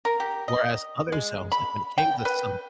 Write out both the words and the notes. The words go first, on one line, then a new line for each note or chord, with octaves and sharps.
whereas other selves, like when it came to some
A#4
G4
D#5
G#3
B5
G5
B4